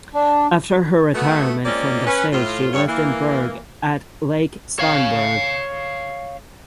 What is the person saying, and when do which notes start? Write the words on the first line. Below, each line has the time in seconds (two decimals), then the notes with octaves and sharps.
After her retirement from the stage she lived in Berg at Lake Starnberg.
0.14 D4
1.15 A3 B3 F#4
1.65 G#3 A#3 C4 C#4 F4 D5
2.07 C#4 B4
2.32 A2 F4
2.73 G2 C#5
2.88 E3 A#3
4.79 C#5 F5